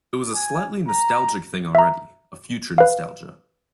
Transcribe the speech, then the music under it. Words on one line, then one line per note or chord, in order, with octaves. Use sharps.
It was a slightly nostalgic thing already, a future nostalgia.
G#5
A#5
E5 A#5
B4 F5